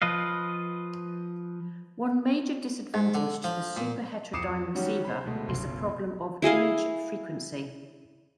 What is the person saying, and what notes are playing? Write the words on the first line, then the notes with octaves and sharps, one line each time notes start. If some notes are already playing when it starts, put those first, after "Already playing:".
One major disadvantage to the superheterodyne receiver is the problem of "image frequency".
F3 B4 D#5 F5
G#2
D3
F3
A#2
F2 D6 D#6 C7 C#7 E7
D#3 F#3 G3 C#4 F#4
C5 B5
B2 D3 G#3 A3
F#1 B1 C6
E4 G#4 D#5 F5